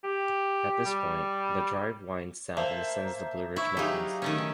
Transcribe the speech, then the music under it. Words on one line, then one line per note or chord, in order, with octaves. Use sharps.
At this point, the drive winds south and ascends the Blue Ridge Mountains.
G4
G3
A#3 C5 E5 A5
E4 E5 C#6
F#3 D#4 G4 G#4 F5
D#3 A3 C#4